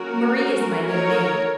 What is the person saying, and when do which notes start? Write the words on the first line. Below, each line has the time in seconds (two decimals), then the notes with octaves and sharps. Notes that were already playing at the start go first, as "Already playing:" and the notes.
Marie is my new maid.
Already playing: F#3 A#3 C#4 F#4 A#4
0.37 A3 C#4
0.86 F#3 A3 D#4 A#4 C#5